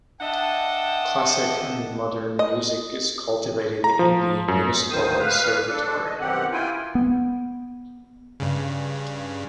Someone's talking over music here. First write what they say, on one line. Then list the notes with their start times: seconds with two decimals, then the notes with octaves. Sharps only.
Classic and modern music is cultivated in the municipal conservatory.
0.21 D4 D#5 E5 F#5 G5 A5
2.39 D#5
3.84 A#5
3.99 F3
4.48 F#2
4.90 D2 G2 D#3 C5 D#6
5.19 B4 F5
5.67 D4 A4
6.04 D#5
6.20 F#2 B2 D#3 C4 G4 F#5
6.52 E4 F4 G5 G#5
6.95 B3
8.40 G2 C#3